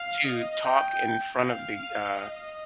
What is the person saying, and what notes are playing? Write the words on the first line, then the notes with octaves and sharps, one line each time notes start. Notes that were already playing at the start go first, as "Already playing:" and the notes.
to talk in front of the, uh
Already playing: F5
D#5
G5
F5
D#5